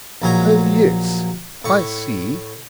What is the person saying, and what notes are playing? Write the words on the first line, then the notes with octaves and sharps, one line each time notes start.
"Oh, yes, I see."
A#1 F#3 G#5 A#5
A2 C#6